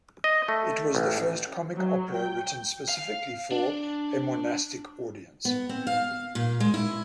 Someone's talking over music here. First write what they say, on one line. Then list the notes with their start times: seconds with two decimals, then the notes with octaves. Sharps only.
It was the first comic opera written specifically for a monastic audience.
0.24 D#5
0.48 A3
0.95 A1
1.74 F#3
2.14 G5
2.89 F5
3.52 D4
5.45 B3
5.69 C4
5.87 F5
6.35 A#2
6.60 G#3
6.74 E4